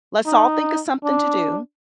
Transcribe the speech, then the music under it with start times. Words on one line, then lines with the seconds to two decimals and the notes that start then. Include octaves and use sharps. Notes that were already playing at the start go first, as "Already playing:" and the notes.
let's all think of something to do,
0.26 D#4
1.04 D4